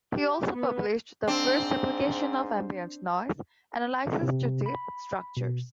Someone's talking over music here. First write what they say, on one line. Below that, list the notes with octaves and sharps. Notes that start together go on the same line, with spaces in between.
He also published the first application of ambient noise analysis to deep structures.
G4
B3
G#2 C4 D4
C3
B5
B2